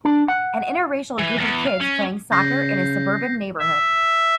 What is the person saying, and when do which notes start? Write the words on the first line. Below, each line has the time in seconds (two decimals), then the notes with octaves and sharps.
An inter racial group of kids playing soccer in a suburban neighborhood.
0.05 D4
0.28 F#5
1.19 E3
1.40 E2
1.67 F5
1.81 C#4
2.32 C#3 G6 A#6 C7
3.59 E5